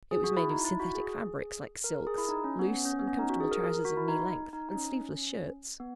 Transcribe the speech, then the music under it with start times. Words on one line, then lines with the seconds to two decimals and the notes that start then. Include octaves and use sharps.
It was made of synthetic fabrics like silks, loose and comfortable trousers of knee length, and sleeveless shirts.
0.11 G#4
0.24 F#4
0.37 E4
0.50 D#4
0.65 E4
0.80 F#4
0.95 G#4
1.84 A#4
1.95 A#4
2.07 G#4
2.18 E4
2.29 D#4
2.44 C#4
2.59 B3
2.73 C#4
2.85 C#4
2.99 B3
3.08 C#4
3.19 D#4
3.30 F#4
3.40 G#4
3.51 A#4
3.64 A#4
3.74 A#4
3.85 F#4
3.97 E4
4.08 D#4
4.53 D#4
4.69 D#4
4.75 C#4
5.80 B3